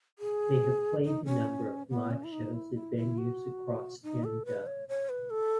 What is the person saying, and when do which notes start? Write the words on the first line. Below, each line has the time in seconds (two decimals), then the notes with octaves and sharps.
They have played a number of live shows at venues across Canada.
0.19 G#4
1.05 D#4
1.25 C#4
1.90 B3
2.11 C#4
2.24 E4
2.32 D#4
2.53 E4
2.75 E4
2.96 E4
3.18 F#4
4.03 D#4
4.24 A4
4.45 B4
4.66 C#5
4.88 C#5
5.09 B4
5.30 A4